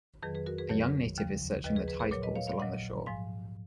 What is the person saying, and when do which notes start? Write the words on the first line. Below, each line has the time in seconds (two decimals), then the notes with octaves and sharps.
A young native is searching the tide pools along the shore.
0.22 F2 D#3 F#3 G#4 B4
0.35 G#4 B4
0.46 F#4 A#4
0.58 G#4 B4
0.69 F2 D#3 F#3 A#4 C#5
1.18 D#2 C#3 F3
1.64 D#2 C#3 F3 B4 D#5
1.76 G#4 B4
1.88 G#4 B4
1.99 G#4 B4
2.11 A#2 F#3 A#4 C#5
2.23 B4 D#5
2.35 C#5 F5
2.47 C#5 F5
2.59 A#2 F#3 D#5 F#5
3.06 G#2 F3 F5 G#5